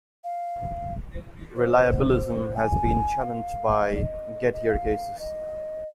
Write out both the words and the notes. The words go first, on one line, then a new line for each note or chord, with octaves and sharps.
Reliabilism has been challenged by Gettier cases.
F5
C5
G#5
F5
D#5
D5
D#5
D#5
F5
D#5